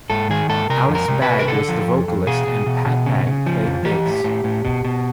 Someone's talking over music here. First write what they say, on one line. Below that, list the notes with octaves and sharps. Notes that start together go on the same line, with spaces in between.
Alice Bag was the vocalist and Pat Bag played bass.
G#2 A4
D#3 G#4
G#2 A4
C3 A#4
F2
A#4
C3
B4
C3
A#4
D3 A4
F3
F2
F2
B2 G#4
B2
B2
B2
C#3
C#3
F3
F2
E3 G4
A2
A2
A2
B2
B2